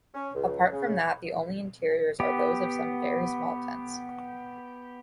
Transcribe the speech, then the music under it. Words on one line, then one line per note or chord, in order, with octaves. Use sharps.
Apart from that, the only interiors are those of some very small tents.
C#4
C#2
C#3
B3 G4